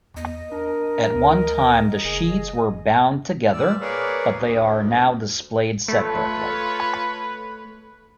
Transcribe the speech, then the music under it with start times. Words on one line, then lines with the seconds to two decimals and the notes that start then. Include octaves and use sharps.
At one time the sheets were bound together, but they are now displayed separately.
0.16 E2 D#5
0.52 D4 A#4
1.15 D2
2.04 F#1 G#4
3.53 A#2 G3 D5 E6
3.81 A#3 G#4 A#4 B4 C#5 D5
4.31 D2
5.88 A3 F4 A4 B4 C#5